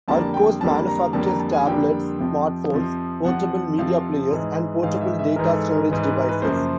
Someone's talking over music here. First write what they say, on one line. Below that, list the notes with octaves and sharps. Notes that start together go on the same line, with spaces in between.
Archos manufactures tablets, smartphones, portable media players and portable data storage devices.
F2 D3 G3 A#3 A5
G5
F2 D3 G3 A#3 A5
A#5
F2 D3 G3 A#3 A5
A#5
A5
G#5
F2 D3 G3 A#3 G5
F2 C3 F3
F2 C3 F3
F2 C3 F3 F#5
F2 C3 F3 F5
G#2 E3 G#3
G#2 E3 G#3 F5
E5
E5
G#2 E3 G#3 A#4
A4
A#4
G#2 E3 G#3
B4
A#4
B4
F#2 C#3 F3 A#3 C5